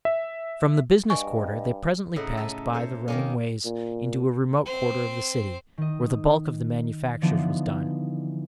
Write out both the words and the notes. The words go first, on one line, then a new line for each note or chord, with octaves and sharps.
From the Business Quarter they presently passed by the running ways into a remote quarter of the city, where the bulk of the manufactures was done.
E5
G2 D#5 G#5 C#6
A2 C#3 D#4 F#5
A3 C#4 A4
A4 C5 C#5
D#3 A#3 C#4
A#2
C4 C5
D#3 D#5
D3 E3 F3 B3 D4 D#4